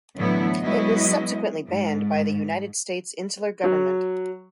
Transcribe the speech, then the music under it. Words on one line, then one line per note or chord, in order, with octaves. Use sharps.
It was subsequently banned by the United States Insular Government.
A2 D3 E3 F#3 B3 E4
F#3 G#3 B3 E4 F#4 D#5
G#2
F#3